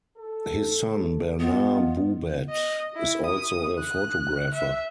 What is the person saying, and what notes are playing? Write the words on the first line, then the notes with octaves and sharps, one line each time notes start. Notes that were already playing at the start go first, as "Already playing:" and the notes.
His son Bernard Boubat is also a photographer.
A4
B3 F4 D#5
D#5
E4
D#6
F#6
E5